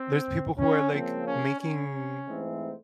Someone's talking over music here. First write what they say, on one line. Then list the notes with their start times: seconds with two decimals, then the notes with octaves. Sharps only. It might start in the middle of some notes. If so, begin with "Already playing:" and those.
there's people who are, like, making,
Already playing: C4
0.59 C#4
0.92 C#3 F3 A#3 C4
1.26 C#4
1.60 C#4
2.27 G#2 E3 A3 C4